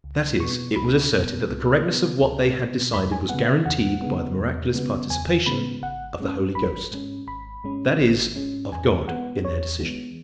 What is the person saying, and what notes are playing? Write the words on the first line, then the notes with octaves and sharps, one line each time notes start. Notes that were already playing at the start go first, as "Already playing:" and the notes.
That is, it was asserted that the correctness of what they had decided was guaranteed by the miraculous participation of the Holy Ghost, that is, of God, in their decision.
C#2
B2 B3 C#6
C#2 B5
B2 B3
C#2
B2 B3
C#2
B2 B3
E2 B5
G#5
C#3 G#3 B3 F#5
E5
E2 F#5
C#3 G#3 B3
E2
C#3 G#3 B3
E2 G#5
C#3 G#3 B3 B5
G#1 F#5
G#2 G#3 C#4
G#1 B5
G#2 G#3 C#4
G#1 B5
G#2 G#3 C#4
G#1
G#2 G#3 C#4
E2 G#5
E3 G#3 B3 F#5
E2 C#5
E3 G#3 B3